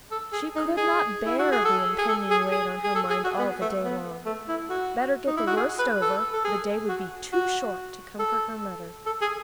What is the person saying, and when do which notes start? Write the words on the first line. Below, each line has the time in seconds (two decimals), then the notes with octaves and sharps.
She could not bear the impending weight on her mind all the day long: better get the worst over; the day would be too short to comfort her mother.
0.11 A4
0.33 G#4
0.56 D#4
0.77 G#4
1.26 E4
1.39 F#4
1.52 G#4
1.65 A4
1.98 G#4
2.08 A4
2.30 G#4
2.51 G#4
2.84 G#4
2.95 A4
3.10 G#4
3.24 F#4
3.39 B3
3.61 A3
3.83 B3
4.26 A3
4.48 E4
4.70 F#4
5.27 D#4
5.37 E4
5.47 F#4
5.57 G#4
5.79 B4
6.02 A4
6.33 A4
6.45 G#4
6.89 F#4
7.32 F#4
8.19 A4
9.06 A4
9.21 G#4